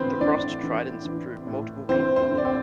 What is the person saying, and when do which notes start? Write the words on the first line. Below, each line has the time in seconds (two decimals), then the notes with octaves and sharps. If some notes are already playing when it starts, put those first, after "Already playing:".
The crossed tridents prove multiple capabilities.
Already playing: A2 D3 E3 B3 C4 B4 C5
0.21 E3 D4 D5
0.64 E3
1.05 E3
1.47 A2
1.89 E3 C4 C5
2.16 C4 C5
2.31 E3
2.38 D5
2.45 C4 C5